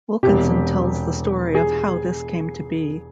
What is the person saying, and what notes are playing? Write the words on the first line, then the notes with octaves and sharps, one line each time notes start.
Wilkinson tells the story of how this came to be.
E1 E2 C3 G4
G#4